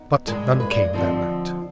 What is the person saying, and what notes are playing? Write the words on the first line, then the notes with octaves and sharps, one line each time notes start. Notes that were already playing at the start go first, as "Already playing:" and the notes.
But none came that night.
Already playing: B3 D#4
G2 D#3 G#3 G#4
B4
D5
D#5
D3 F3 C4 D#4